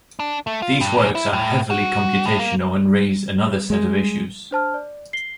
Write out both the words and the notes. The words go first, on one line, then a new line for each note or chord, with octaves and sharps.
These works are heavily computational and raise another set of issues.
D4
A3
F4
G2
E2
E4
A2
F#4
A2
A#3
G#3
D4 C5 A5 F6
D5
C7 G7